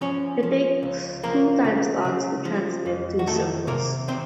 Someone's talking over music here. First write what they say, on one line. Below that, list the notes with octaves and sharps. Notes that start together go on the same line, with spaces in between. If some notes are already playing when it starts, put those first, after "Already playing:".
It takes two time-slots to transmit two symbols.
F3 C#4 C#5
F3
C#2
F3 A#3 A#4
C#3
C#3
F3
F2
F#4
D#3 A3 A4
C3 A#3 A#4
D#3 C4 C5